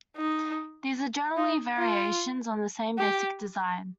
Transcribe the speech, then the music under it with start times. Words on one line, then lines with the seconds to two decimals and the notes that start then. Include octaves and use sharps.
These are generally variations on the same basic design.
0.16 D#4
1.37 D#4
1.78 F4
2.98 G4